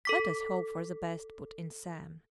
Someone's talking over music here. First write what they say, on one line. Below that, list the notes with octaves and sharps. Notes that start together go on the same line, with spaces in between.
"Let us hope for the best," put in Sam.
A4 D6 B6